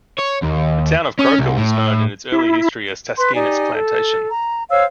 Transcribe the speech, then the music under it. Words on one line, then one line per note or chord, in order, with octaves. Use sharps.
The town of Croaker was known in its early history as Taskinas Plantation.
C#5
D#2
C#4
C2
A2
E4
B4 C6
D#4 G4 D5 G#5
A4
A#5
C5 C#5 F5 E6